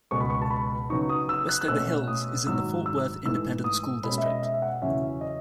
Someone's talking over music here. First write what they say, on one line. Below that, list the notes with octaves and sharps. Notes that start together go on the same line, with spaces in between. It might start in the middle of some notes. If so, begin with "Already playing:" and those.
Westover Hills is in the Fort Worth Independent School District.
C#2 B2 G#3 C#6
B5
C#6
A5
B5
C#3 F#3 B3 D#4 C#6
D#6
E6
F#6
F#6
B2 A3 C#4 E6
D#6
G#2 D#3 F#3 E6
E6
G#2 E3 A3 E6
D#6
B2 G#3 C#4 B5
E5
D#5
E5
E5
F#5
E2 C#3 F#3 C#4 E5
D#5